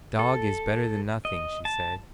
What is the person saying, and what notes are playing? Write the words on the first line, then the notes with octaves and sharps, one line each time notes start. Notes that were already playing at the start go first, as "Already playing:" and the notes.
"A dog is better than nothing," she said.
A4
D#5
A5